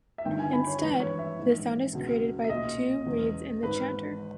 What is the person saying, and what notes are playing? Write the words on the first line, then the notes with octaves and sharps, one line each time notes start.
Instead, the sound is created by two reeds in the chanter.
E5
G1 G2 D#3 G5
G#5
B5
C#5
G#1 G2 E3 B4
C#5
E5
A#1 G#2 E3
C#2 B2
E5
B1 A#2 D#5
E1 E2 C#3
G#1 G#2 D#3 B4